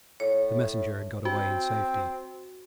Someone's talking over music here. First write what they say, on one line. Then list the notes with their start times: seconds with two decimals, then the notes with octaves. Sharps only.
The messenger had got away in safety.
0.20 A2 C#5
1.25 C4 F#4